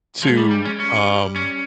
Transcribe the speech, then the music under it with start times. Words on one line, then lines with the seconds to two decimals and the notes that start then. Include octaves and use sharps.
to, um,
0.23 F3 G#3
0.37 G3
0.51 G3
0.65 C#4
0.79 G3 C#4
1.36 C#4